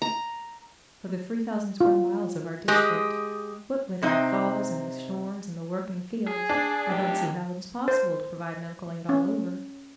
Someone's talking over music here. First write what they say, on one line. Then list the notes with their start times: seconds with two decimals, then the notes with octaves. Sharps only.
For the three thousand square miles of our district, what with our thaws, and the storms, and the work in the fields, I don't see how it is possible to provide medical aid all over.
0.02 A#5
1.81 F4
2.68 G#3 G4 D#5
4.02 C3 C4 D#4
6.27 G#4
6.49 D4
6.90 F2 G4
7.88 C5
9.09 C#4